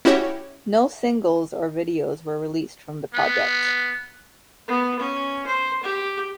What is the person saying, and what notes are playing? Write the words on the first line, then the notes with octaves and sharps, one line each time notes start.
No singles or videos were released from the project.
C#4 E4 F#4 G4 C#5
B3
B3
C#4
C5
G4